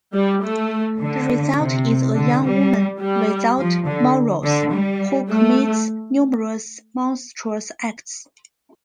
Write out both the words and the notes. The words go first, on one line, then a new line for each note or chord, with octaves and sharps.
The result is a young woman without morals, who commits numerous monstrous acts.
G3
A3
D3
C3
D3
G3
G3
F3
D3
D3
G3
A3